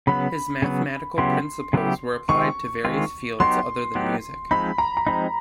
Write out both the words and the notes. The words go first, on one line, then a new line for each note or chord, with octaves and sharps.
His mathematical principles were applied to various fields other than music.
C#3 F#3 B3 B5
C#3 F#3 B3
C#3 F#3 B3 E4 G4 C6
C#3 F#3 B3 E4 G4
D#3 G#3 C4 F4 C#6
D#3 G#3 C4 F4
F#3 B3 D#4 G4 C6
F#3 B3 D#4 G4
F3 G#3 C4 D#4 B5
A#5
A#5
F3 G#3 C4 D#4 B5